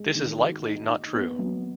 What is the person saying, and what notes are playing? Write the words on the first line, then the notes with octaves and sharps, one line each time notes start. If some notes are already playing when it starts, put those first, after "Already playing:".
This is likely not true.
Already playing: G#3
D#3
F#4
D#4
D#4
B3
F#3